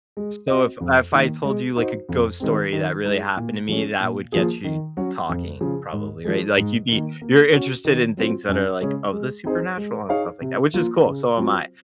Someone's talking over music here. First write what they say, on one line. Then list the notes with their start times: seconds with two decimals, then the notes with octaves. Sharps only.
So, if if I told you, like, a ghost story that really happened to me, that would get you talking probably, right? Like, you'd be you're interested in things that are, like, of the supernatural and stuff like that, which is cool, so am I.
0.17 G#3
0.47 C4 F#4 C5 D#5
0.80 F2
1.12 D#3 A#3
1.44 G#3
1.76 D#4 F#4 C5
2.09 F2
2.40 D#3 G#3 C4
2.73 D#3
3.04 G#3 D#4
3.37 A#2
3.69 F3 G#3 C#4
4.00 A#2
4.32 F3 A#3 F4 G#4
4.64 D#3
4.97 F#3 C#4 F#4
5.29 F2
5.61 C#3 F3
5.92 G#2
6.25 F3 G#3
6.57 G#2
6.89 D#3 A#3
7.21 A#3
7.52 C#4 F#4
7.85 D#3
8.17 F#3 C4 F4
8.49 F#2
8.81 C#3 G#3 C#4 G#4
9.13 G#3
9.44 C4 D#4 G#4 C5
9.77 G#3
10.09 D#4 G#4 C#5 F5
10.41 C3
10.74 F3 A#3 F4
11.06 C#3
11.37 F#3 C4 F4 C5